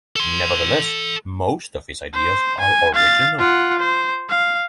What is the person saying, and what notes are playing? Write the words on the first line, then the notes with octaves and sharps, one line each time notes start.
Nevertheless, most of his ideas are original.
A4 C6
C5
G#5
F5 A6
F4 F#5
C5
F5